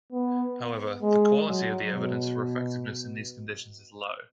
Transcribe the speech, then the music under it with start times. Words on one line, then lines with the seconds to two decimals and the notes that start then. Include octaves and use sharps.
However, the quality of the evidence for effectiveness in these conditions is low.
0.12 B3
1.02 G#3
1.48 F#3
1.93 B2